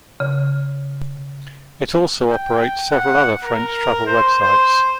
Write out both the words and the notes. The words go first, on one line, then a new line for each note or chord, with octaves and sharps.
It also operates several other French travel websites.
C#3
G5
F#5
A#4
C5
C5